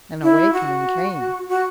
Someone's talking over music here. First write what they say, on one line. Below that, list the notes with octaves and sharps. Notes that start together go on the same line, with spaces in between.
An awakening came.
E4
F#4
F#4